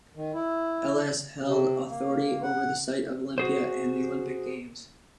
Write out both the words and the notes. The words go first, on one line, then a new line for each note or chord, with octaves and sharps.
Elis held authority over the site of Olympia and the Olympic games.
D#3
E4
C3
A#3
F#5
F#4 G#4 C5